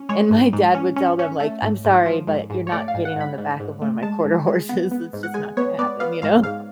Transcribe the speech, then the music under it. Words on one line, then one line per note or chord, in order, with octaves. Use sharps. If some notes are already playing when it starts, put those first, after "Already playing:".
And my dad would tell them, like, "I'm sorry, but you're not getting on the back of one of my Quarter Horses, it's just not gonna happen," you know?
Already playing: C#4
G#3 C#5
G#2
G#2
C#4
C#4
C#4
A3
G#2
G#2
F3
G#2
G#2
C#5
A3 D5
F5
G#2
F#5
G#2 B5
G#2
G#2
A3
G#3 A5
G#2
G#3
B3
B3
G#2
F#5
G#3 G#5
B3 C#5
B3 D5
B3 F5
G#2 F5
G#2 F5